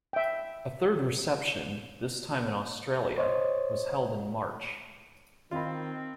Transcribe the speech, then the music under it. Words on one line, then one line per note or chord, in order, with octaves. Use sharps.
A third reception, this time in Australia, was held in March.
E5 G5
C5 C#5 D#5
D#3 C4 F4 B5